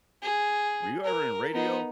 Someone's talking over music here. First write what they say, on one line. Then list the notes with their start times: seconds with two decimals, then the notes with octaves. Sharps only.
were you ever in radio?"
0.22 G#4
1.04 A#4
1.53 B3 D#4